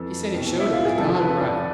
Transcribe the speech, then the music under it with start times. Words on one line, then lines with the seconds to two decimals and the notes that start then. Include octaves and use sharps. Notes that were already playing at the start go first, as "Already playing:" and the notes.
He said it showed it was done right.
Already playing: F2 E3 A4
0.34 C2 B2
0.60 E4
0.73 F4
0.85 G#4
0.98 F2 C3 F3 A4
1.20 B4
1.41 D5